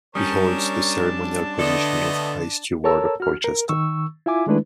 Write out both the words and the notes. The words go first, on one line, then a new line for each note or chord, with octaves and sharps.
He holds the ceremonial position of High Steward of Colchester.
G3 C#4 D4 A#4 C#5 A5 D#6 G6
D3 A3 B3 A4 D5 D#5
A4 A#4 C#5 A5 A#5 E6
F#4 F6
A#4
D#3 C#6 E6
E4 F4 E5 G#5 D6
D#3 G#3 A3 D4 E4 B4